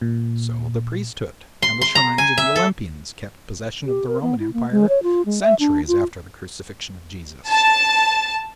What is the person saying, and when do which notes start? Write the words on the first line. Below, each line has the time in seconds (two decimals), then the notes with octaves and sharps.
So the priesthood and the shrines of the Olympians kept possession of the Roman Empire centuries after the crucifixion of Jesus.
0.01 A#2
1.62 C6
1.81 C6
1.95 A#5
2.18 G#5
2.38 E5
2.56 A4
3.86 G4
4.07 A#4
4.22 B3
4.40 E4
4.54 A#3
4.71 G#3
4.89 C#5
5.03 F4
5.26 G#3
5.42 E5
5.60 D4
5.88 F4
7.49 A5